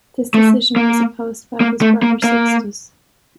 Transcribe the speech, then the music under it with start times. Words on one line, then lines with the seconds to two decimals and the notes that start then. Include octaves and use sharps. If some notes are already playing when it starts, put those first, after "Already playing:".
This decision was opposed by his brother Sixtus.
0.34 A3
0.76 A#3
1.60 A#3
1.82 A3
2.03 A#3
2.24 A#3